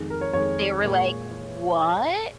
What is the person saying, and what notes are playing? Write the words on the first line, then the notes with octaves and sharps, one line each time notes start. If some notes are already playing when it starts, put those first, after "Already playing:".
They were like, "What?"
Already playing: F2 D#3 G#3
A#4
C#5
F2 D#3 G#3 C#5
A#2 G#3